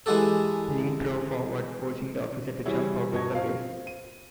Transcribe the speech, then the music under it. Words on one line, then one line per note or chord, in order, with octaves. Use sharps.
Lynn drove forward, forcing the officer to jump out of the way.
E3 G#3 E4 F#4 G4 A4
E3 G3 E4 F#4 G#4 C#5
G1 B2 D#5 C#6 G#6
C4 F4 F5
D#7